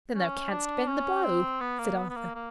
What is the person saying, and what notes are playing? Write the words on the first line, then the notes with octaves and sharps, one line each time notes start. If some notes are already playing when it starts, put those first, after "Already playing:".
"Then thou canst bend the bow?" said Arthur.
C#4
D4
C#4
C4
B3
A#3
B3
B3
A#3
A#3